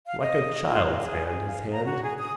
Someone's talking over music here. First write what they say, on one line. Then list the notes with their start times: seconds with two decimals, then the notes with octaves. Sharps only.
Like a child's hand, his hand.
0.06 F5
0.20 D#5
0.69 F4
0.87 F4
1.03 G#4
1.26 G#4
1.46 F5
1.70 A#5
1.84 F#4
2.02 G#4
2.18 D#6